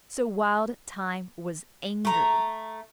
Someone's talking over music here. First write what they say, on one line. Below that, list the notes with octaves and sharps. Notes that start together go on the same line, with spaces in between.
So Wild Thyme was angry.
A3 A#5